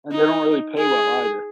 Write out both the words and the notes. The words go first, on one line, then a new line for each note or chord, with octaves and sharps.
And they don't really pay well either.
D#4
G#4